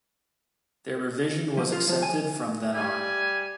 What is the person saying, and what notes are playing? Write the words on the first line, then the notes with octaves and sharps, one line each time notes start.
Their revision was accepted from then on.
F3
F4
F3
G#5
G3 G#5